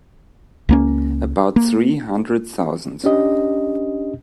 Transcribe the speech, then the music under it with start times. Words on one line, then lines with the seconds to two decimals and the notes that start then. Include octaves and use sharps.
About three hundred thousand.
0.69 C#2 A#3 C#4
1.56 A#3
3.04 C#4 D4 G4 D#5